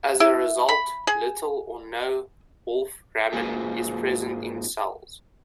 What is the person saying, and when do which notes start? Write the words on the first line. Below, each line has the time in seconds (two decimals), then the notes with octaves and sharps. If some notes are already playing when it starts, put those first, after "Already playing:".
As a result, little or no wolframin is present in cells.
0.20 E4
0.69 B5
1.07 G#4
3.33 G#2 A#3 C4 F4 F#4 G#4